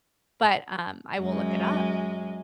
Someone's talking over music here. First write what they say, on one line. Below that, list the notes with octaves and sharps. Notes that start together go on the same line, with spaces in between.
But, um, I will look it up.
F#2 G#3